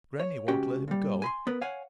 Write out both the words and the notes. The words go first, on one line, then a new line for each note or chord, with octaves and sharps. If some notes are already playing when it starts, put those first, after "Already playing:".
Grannie won't let him go.
C#5
C#2 C#4 F#4 G4 G5
A#2 G3
G#5 B5 C6
B3 A#4 B4
C#5 F5 F#5 G#5